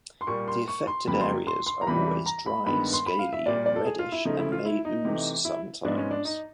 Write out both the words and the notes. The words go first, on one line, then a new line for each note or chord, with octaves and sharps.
The affected areas are always dry, scaly, reddish and may ooze sometimes.
C6
A#2 G3 A#3 C#6
C6
C#6
C6
F2 C#3 F#3 A#3 B5
C6
C6
C6
A#5
E2 C3 E3 G3 B5
A#5
B5
G2 D#3 G#3 B3 B5
C6
B5
F5
E5
A#2 G3 A#3 D5
D5
A4
G#4
F4
E4
C#3 F3 A3 D#4
E4
F4
E4
D#4
C3 E3 A3
E4
G#2 F3 G#3 B3 D4
C#4
D4
D#4